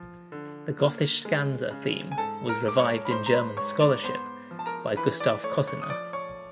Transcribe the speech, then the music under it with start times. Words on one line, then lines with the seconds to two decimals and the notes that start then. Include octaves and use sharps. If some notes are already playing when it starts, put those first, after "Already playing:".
The Gothiscandza theme was revived in German scholarship by Gustav Kossinna.
Already playing: F3
0.32 D3
0.78 A#3
1.25 G#3
1.71 C#3
2.12 G#5
2.18 G#2 A4 A5
2.49 A#4 A#5
2.64 G#2 D6
2.79 C#5 C#6
3.05 B5
3.11 G#2 C5 C6
3.26 A#5
3.34 B4 B5
3.57 G#2 C#5 C#6
3.80 D5 D6
4.04 B3 C5 C6
4.51 F3
4.59 A5
4.66 A#4 A#5
4.97 E3 B4 B5
5.20 D5 D6
5.43 A3 C#5 C#6
5.67 C#5 C#6
5.82 D#6
5.90 F3 D5 D6
6.13 C#5 C#6